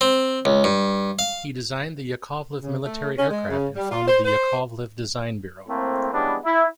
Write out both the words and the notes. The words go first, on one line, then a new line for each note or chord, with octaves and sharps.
He designed the Yakovlev military aircraft and founded the Yakovlev Design Bureau.
C4
C#2
G2
F5
C#3
A3
C#4
G#3
C#3
G3
F4
C5
C5
A2 A3 A#3 C4
E3 G3 G#3 B3 C#4 D4
E4